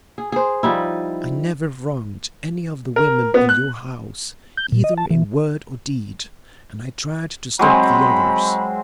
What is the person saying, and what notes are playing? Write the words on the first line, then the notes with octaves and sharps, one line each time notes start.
I never wronged any of the women in your house either in word or deed, and I tried to stop the others.
G#4
G#4 C5
F3 G3 D#4 E4
A#4
B3
F#6
G6
A#2
D#5
A5
E3
F#3 G#3 C4 B5